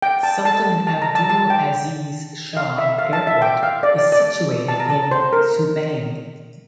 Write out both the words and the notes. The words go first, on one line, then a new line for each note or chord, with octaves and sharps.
Sultan Abdul Aziz Shah Airport is situated in Subang.
G5
A5
A5
A5
A#5
A5
A5
G5
F5
E5
F5
A5
E5
G5
F5
D5
D5
D5
A5
A#5
A5
C5
A#4